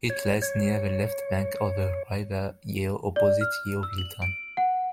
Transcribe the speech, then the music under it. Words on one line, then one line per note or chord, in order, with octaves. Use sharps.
It lies near the left bank of the River Yeo opposite Yeovilton.
C#5
C#5
D5
F6
E6
F#7
D7
F#5